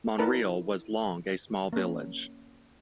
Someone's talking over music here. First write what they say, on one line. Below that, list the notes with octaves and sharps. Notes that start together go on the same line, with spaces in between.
Monreale was long a small village.
E4 A#4 B4 D5 A5
A#3 C#4